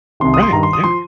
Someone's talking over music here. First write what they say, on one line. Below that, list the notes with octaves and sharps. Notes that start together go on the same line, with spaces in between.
right? Yeah,
C2 C3 D#3 C6
D#6
C6
G2 D#3 A#5
C6
D#6
F3 C6